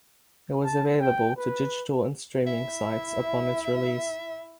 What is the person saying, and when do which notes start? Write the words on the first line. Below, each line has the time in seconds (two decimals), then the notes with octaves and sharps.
It was available to digital and streaming sites upon its release.
0.64 A5
1.01 G5
1.37 B4
2.47 E4 E5